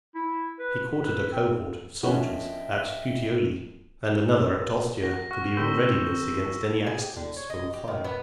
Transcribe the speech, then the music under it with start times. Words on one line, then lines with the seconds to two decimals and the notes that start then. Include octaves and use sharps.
He quartered a cohort of soldiers at Puteoli, and another at Ostia, to be in readiness against any accidents from fire.
0.15 E4
0.59 B4
1.01 B4
1.32 C4
2.03 D3 D#3 F3 C#4 F#4 D#5 E5 G5
5.03 F#4 A#6
5.31 F#5 C#6 F6
5.57 D3 C4 G4 A#4 C5 E6 B6 G7
6.87 G#4
7.01 G4
7.17 D3
7.36 C#5
7.50 D#5
7.73 G4
7.88 D#3
8.04 B3